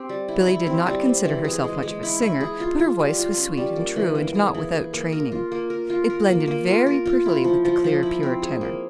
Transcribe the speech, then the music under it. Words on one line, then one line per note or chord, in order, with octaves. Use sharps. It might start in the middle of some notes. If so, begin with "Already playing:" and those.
Billy did not consider herself much of a singer, but her voice was sweet and true, and not without training. It blended very prettily with the clear, pure tenor.
Already playing: C4 G4
G3
E4
E4
C4
G3
C4
E3
G#4
G#3
G#3
E4
E4
G#4
F4
F4
G3
F4
C#4
G3
A#3
E3
A#3
G#4
E3
G#4
A#3
A#4
F4
A#3
A#4
F4
A#4
A#3
A#3
F4
A#4
F4
E4
F3
F3
F3
E4
C4
G#4
A#3